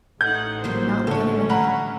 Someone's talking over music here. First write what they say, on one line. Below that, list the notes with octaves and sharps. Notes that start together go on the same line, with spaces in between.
I did not look at him again.
A1 A3 D#4 F#5 G6
F#3 G3 A#3 C5
D3 A3 C#4 A4 C#5
D3 F#5 A#5 B5